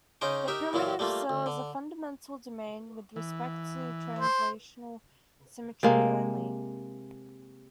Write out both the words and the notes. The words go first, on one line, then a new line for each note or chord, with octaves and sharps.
The primitive cell is a fundamental domain with respect to translational symmetry only.
C#3 C#4 D#4 C5 D6
D#4 G4 A#4 E5
A#2 E3 F#3 E4 F4
G3 A3 A#3 F4
D2
D3
E3
C5
C3 G#3 A#3